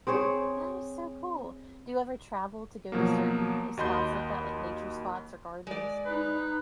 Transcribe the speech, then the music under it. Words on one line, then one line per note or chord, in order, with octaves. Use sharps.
That is so cool. Do you ever travel to go to certain, eh, spots like that, like nature spots or gardens?
C4 G#4 C5 C#5
B2 F3 F#3 A#3
D#2 F#4 D#5 B5 C6 G6
G#3 D5
D#4 B4